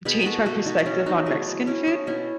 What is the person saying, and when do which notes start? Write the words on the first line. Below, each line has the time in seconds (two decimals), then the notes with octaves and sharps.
changed my perspective on Mexican food,
0.05 B2 G#4 B4
0.25 B2 F#4 A4
0.46 B2 F#4 A4
0.66 B2 D#4 F#4
0.86 B2 C#4 E4
1.06 B2 D#4 F#4
1.26 A3 E4 G#4
1.47 F#3
1.67 F#3 C#4 E4
1.87 A3 D#4
2.07 B2 C#4 E4